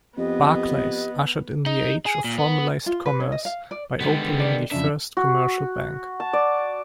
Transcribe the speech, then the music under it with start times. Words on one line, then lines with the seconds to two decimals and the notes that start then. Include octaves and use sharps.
Barclays ushered in the age of formalised commerce by opening the first commercial bank.
0.17 F2 B3 G4 D#5
1.66 D#4
2.06 G#4
2.24 A#2
2.39 B3
2.86 F4
3.06 B4
3.20 C#4
3.32 D#5
3.45 F5
3.71 D5
4.00 D3 D#3 G3 G#3 B3
4.40 D5
4.71 F2 C#3 D4 E5
5.17 F#4
6.20 A5
6.33 D5